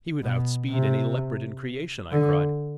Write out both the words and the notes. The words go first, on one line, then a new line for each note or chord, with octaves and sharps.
"He would outspeed any leopard in creation!" I cried.
B2
C3
D3